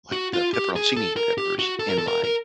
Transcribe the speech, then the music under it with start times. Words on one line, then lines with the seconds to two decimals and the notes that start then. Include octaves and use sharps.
like, the peperoncini peppers in my,
0.12 F#4
0.33 F4
0.54 G4
0.76 G#4
0.96 A4
1.17 A#4
1.38 G4
1.59 F#4
1.79 A4
1.89 A#4
1.98 A4
2.07 A#4
2.24 A#4